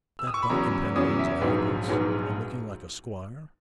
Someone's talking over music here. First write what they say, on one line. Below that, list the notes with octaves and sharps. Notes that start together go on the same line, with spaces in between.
'That buck in pantaloons and half-boots--a looking like a squire?'
E6
D#6
C#6
B5
E2 C#3 F#3 C#4 A#5
E2 C#3 F#3 C#4 D#6
E5
A#1 G#2 F#3 B3
A#1 G#2 F#3 B3